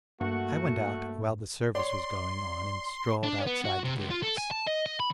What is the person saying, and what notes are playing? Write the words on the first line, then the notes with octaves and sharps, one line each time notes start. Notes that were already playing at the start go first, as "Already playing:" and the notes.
I went out while the service was going on and strolled outside the gates.
G2 A3 A#3 F#4
C#5 D5 C6
D4
B3
F#4
C3
C#2
F4
A4
G#5
A5
D#5
D#5
B5